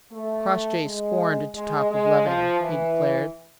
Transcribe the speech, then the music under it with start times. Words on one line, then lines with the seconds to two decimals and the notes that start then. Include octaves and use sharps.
Crossjay scorned to talk of loving, he declared.
0.11 A3
0.83 G#3
1.54 G#3
1.90 G#3
2.25 F3
2.60 E3